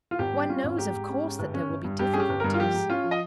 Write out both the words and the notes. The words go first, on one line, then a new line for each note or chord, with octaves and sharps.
"One knows, of course, that there will be difficulties."
F4
G#1 G4
G3
C#4 F4
G#1
G#2 G4
G#2
C#4
G#2
G1
C#4
G1
G2
G2 G4
C#4 G#4
G4
G1
G2 A#4
F4
F3 G4
G#2
C#4 F4
F3
D#5